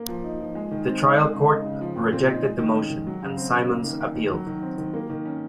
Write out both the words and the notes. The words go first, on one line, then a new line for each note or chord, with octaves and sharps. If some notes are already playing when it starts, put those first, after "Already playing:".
The trial court rejected the motion, and Simmons appealed.
Already playing: A#3
F3
D#4
F3
G#3
D#3
C4
D#4
G#3
C#3
D#4
C#3
F3
A#2
C4
D#4
G#3
D#3
C#4
D#3
F#3
C#3
C4
C#3
A#3
D#3
C#4
D#3
F#3
D#3
C4
D#3
A#3
D#3
C#4